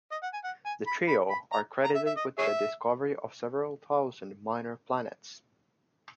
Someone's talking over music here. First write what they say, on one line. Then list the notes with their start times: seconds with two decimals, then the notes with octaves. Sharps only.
The trio are credited with the discovery of several thousand minor planets.
0.11 D#5
0.23 F#5
0.34 G#5
0.44 F#5
0.66 G#5
0.87 B5
1.08 B5
1.30 B5
1.52 A#5
1.84 A#5
1.95 E5
2.06 E5
2.17 D#5
2.39 G#4 C#5 E5